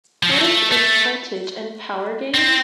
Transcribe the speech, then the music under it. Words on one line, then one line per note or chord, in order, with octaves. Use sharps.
What is its voltage and power gain?
F3
F#3
A3
A3
C4